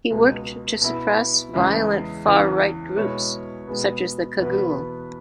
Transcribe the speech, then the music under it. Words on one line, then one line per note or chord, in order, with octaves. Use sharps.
He worked to suppress violent far right groups such as the Cagoule.
C#2 B2 G#3
B2 B3 E4
E2 C#3 G#3 E4
E2 C#3 E3
B2 G#3 E4 C#5
B2 G#3 B3
E2 B2 B3 E4 B4